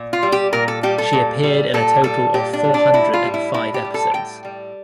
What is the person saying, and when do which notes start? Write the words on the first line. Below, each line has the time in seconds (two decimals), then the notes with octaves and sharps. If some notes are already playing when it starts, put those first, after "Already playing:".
She appeared in a total of four hundred and five episodes.
Already playing: A#2
0.13 F4
0.23 G3
0.32 G4
0.53 A#2 A#4
0.68 A4
0.83 G3 G4
0.98 A4
1.13 A#2
1.43 G3
1.74 A#2 A4
2.04 G3 A4
2.34 A#2 G4
2.53 D4
2.64 G3
2.74 D4
2.94 A2 E4
3.13 F4
3.24 G3
3.34 E4
3.54 A2 E4
3.74 G4
3.85 G3
3.94 A4
4.14 A2 G5
4.45 G3